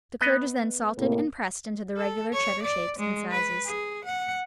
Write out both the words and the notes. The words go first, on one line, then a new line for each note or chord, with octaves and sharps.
The curd is then salted and pressed into the regular Cheddar shapes and sizes.
B3 D#5
A2 C3 A#3
A4
C#5
D5
G#3
B4
G#4
F#5